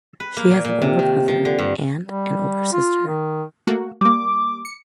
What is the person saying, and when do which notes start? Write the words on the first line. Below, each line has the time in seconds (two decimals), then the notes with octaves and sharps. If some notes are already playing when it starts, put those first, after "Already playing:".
She has an older brother and an older sister.
0.20 B4
0.37 A#3
0.51 A#2
0.65 A#2
0.82 C3
0.99 D#3
1.28 F3
1.45 D3
1.59 G2
2.04 G3
2.73 F4
3.07 D#3
3.67 A3 A#3 F#4
4.01 G3 A#3 D6
4.65 C#7